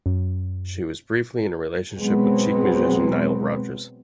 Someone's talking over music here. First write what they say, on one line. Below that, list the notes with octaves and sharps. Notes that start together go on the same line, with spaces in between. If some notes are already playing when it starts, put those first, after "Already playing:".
She was briefly in a relationship with Chic musician Nile Rodgers.
F#2
B2 F#3 G#3 B3 C4